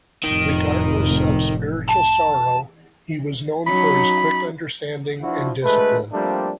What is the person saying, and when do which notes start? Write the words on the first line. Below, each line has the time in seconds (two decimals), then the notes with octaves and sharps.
Regardless of spiritual sorrow, he was known for his quick understanding and discipline.
0.24 F1 A2 D#3
1.89 A5
3.67 F#3 C#4 D#4 B5
5.21 F3 D4 E4 F#4
5.64 D2 G#3 A3 B4
6.12 F3 G3 A3 A#3 C4 D4